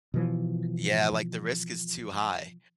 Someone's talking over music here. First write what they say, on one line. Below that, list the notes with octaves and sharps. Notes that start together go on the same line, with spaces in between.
yeah, like, the risk is too high.
B2 E3 F3